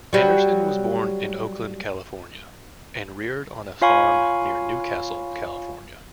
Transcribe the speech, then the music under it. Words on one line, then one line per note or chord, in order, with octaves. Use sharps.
Anderson was born in Oakland, California, and reared on a farm near Newcastle, California.
F#3 G3
F4 C#5 F5 G#5 B5 C#6